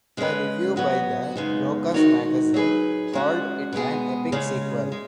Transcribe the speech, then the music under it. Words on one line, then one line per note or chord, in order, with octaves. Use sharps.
A review by the "Locus Magazine" called it an epic sequel.
C#3 G#3 C#4 B4
F#3 B3 F#4 D#5
F#2 C#3 G#3 B3 D#4
D#3 G#3 D#4 F#4 C#5
F#3 D#4 G#4 B4
G#3 C#4 F#4
B2 G#3 B3 G#4
C#3 G#3 C#4
G#3